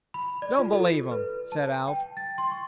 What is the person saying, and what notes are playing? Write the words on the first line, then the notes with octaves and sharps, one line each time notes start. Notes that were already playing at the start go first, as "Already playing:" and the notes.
"Don't believe 'em," said Alf.
B5
D5
F4
A4
B4
A5
G5
A6
C6
C#6